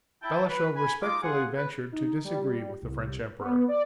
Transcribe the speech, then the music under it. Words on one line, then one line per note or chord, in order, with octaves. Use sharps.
Balashev respectfully ventured to disagree with the French Emperor.
E4 G5 A5
B4
G#5 B5
D#4 F4 D6
F4 G#4 F#5
B4
D#4
G3
C2
B3
D5